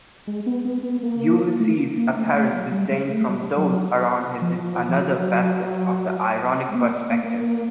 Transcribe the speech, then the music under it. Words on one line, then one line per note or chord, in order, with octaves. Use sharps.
Ulysses' apparent disdain for those around him is another facet of the ironic perspective.
G#3
B3
B3
B3
A#3
A3
A#3
A#3
A3
A3
F#3
G3
G#3
A3
G3
F#3
F3
F3
F#3
G#3
B3
A#3
A#3
A#3
A#3